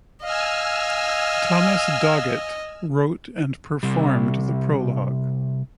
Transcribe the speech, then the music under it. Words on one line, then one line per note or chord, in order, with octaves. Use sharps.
Thomas Doggett wrote and performed the prologue.
D#5 F5 G#5 E6 F6
C3 G3